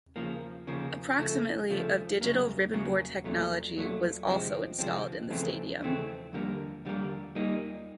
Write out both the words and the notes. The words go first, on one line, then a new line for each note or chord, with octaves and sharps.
Approximately of digital ribbon board technology was also installed in the stadium.
C#3 F3 A#3
C#3 F3 A#3
C#3 F3 A3
C#3 F3 A3
F#2 C#3 F#3 A#3
F#2 C#3 F#3 A#3
B1 A#2 F#3 A3
B1 A#2 F#3 A3
D2 C3 F3 G#3 C4
D2 C3 F3 G#3 C4
F2 C#3 E3 A3 C4
F2 C#3 E3 A3 C4
F2 D3 G3 A#3
F2 D3 G3 A#3
A#2 G3 A#3 D#4